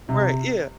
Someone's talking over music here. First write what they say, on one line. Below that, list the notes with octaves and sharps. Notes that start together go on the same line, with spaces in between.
Right, yeah.
C3